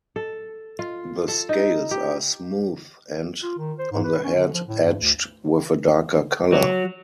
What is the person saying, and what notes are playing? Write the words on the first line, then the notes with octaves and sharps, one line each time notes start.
The scales are smooth and, on the head, edged with a darker colour.
A4
F4
A4
D#4
G4
F4
D#3
C5
G#2
B4
C#4
D3
F3
A2
G2
D2
F#3